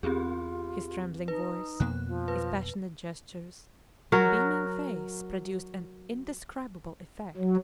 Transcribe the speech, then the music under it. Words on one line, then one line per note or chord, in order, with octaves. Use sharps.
His trembling voice, his passionate gestures and beaming face, produced an indescribable effect.
E2 C4 F4 G4 G#4
D#4 B4
F2 B2 A#3 F#6
F3
B4
F#3 F#4 A#4
F#3